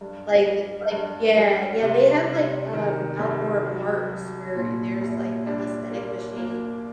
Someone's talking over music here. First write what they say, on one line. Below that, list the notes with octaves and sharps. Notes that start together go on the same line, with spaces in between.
like, it's like yeah, yeah, they have, like, um, outdoor parks where there's, like, calisthenic machines,
G2
G3
G2
G3
C3
C3
D#3
C2
F#3
F#3
A#2
C2
D4
A#3
A#3